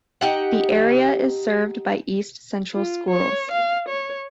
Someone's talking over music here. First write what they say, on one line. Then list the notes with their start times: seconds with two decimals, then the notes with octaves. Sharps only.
The area is served by East Central Schools.
0.21 D#4 G4 F#5
2.74 F4
3.10 C#5
3.51 F5
3.88 C#5